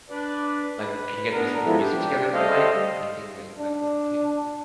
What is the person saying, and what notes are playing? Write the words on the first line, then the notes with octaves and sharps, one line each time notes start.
Like, can you guys listen to music together that you like? Anything that you, like, listen to?
D4 B4 D5
B4
B3 D4 A#4 A#5
F3 G#3 B3 E4 A4
D4 G4
G3 A3 A4 C5 D#5 F5
D4